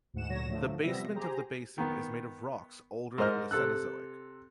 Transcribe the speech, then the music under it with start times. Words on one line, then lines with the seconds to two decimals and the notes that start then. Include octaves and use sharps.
The basement of the basin is made of rocks older than the Cenozoic.
0.14 D2 G#2 F#5 E7
0.29 D2 A#2 F#3 C#5 A#6 E7
0.48 A2 D3 F3 F#3 A3
0.82 C3 F3 G3 B3 E5 A#6
1.14 G4 G#4 C5 A#5
1.78 D#3 B3
3.18 G#2 A#4 C5 D#5 F6
3.51 C3 A4 E6 F#6